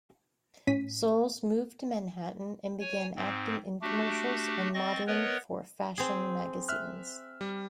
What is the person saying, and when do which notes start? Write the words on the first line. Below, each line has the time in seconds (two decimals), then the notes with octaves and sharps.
Soles moved to Manhattan and began acting in commercials and modeling for fashion magazines.
0.67 A2 C#4 B6 D#7
2.81 C#5 G#5
3.16 G#2 C4
3.82 A3 D4 F#4 G4
4.74 C4 D#5 C#6 A6 A#6
5.07 B3 A#4 B4 C#5 D#5 F#5
5.98 C4 G#4
6.68 E5 F6 F#6
7.41 G3